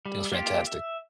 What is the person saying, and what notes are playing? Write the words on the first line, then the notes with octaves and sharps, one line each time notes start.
It was fantastic.
G3
A#3 F4 G4
E5